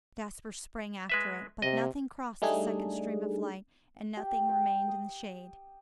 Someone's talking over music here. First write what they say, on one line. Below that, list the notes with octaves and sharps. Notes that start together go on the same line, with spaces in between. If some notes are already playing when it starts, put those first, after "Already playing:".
Jasper sprang after it, but nothing crossed the second stream of light, and nothing remained in the shade.
G#3 B4 E5
C3 D#5
G3 A3 D4 D#4 G#4
G4
G5
D#6